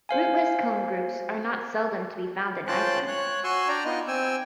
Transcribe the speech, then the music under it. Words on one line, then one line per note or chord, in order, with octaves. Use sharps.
Rootless cone groups are not seldom to be found in Iceland.
C5 F5 G#5
C#4 F4 C5 G5 A5 F#6
C#5 F#6
F#4 G#5 C6 C#6 E6
D4 D5 G5 A#5
B3 D#4 F4 D#5
C4 G5 G#5 E6